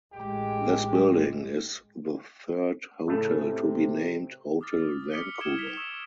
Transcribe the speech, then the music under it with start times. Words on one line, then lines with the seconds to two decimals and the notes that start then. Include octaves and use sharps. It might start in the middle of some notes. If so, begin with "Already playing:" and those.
This building is the third hotel to be named "Hotel Vancouver".
0.13 A1 G#3 G4
3.07 A2 C#3 A3
3.39 C3
4.61 D6 D#6 F6 A6
5.12 D6 D#6 F6 B6 C#7 G7
5.41 F6 G#6 D7 E7 G7
5.59 B6 D7 F7 G7
5.77 C#6 D#6 E6 D7 E7